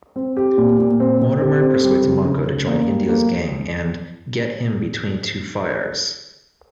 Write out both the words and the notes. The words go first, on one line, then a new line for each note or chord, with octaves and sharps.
Mortimer persuades Manco to join Indio's gang and "get him between two fires".
C4
G4
A#2
A#2
C4
C4
G4
C4
G3
C#3
C#3
C#3
A#3
G3
A#3